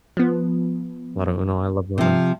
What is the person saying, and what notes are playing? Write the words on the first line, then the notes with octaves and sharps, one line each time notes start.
A lotta UNO; I love UNO.
F3 B3
C3 F3